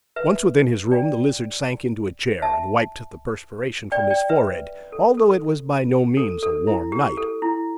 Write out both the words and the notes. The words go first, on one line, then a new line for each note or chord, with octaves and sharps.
Once within his room the Lizard sank into a chair and wiped the perspiration from his forehead, although it was by no means a warm night.
B4 E5
D5 G5
E5 A5
D5 G5
D5 G5
B4 E5
A4
A4
A4
A4
E4
G4
A4
E4